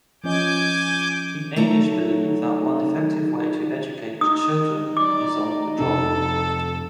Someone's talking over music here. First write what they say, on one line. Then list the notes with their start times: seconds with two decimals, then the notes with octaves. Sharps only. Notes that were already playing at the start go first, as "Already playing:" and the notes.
The Amish believe that one effective way to educate children is on the job.
0.24 F3 C#4 D#5 G#5 D6 G6
1.56 F#3 A3 D#4 A4 A#5
4.21 D#4 D#6
4.97 D5 D6
5.79 F2 C3 D4 A4